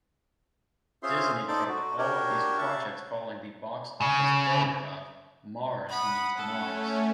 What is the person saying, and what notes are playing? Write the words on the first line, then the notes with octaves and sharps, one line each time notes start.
Disney dropped all of these projects following the box-office failure of "Mars Needs Moms".
C#4 F4 G#4 C5 E5 C6
D#4 A4 C5 D5 D6
F#4
D4 F#4 G4 A#4 C#5
E5 F#5 A5 C#6
C#3
F#5 B5 D#6
A3 C#4 A4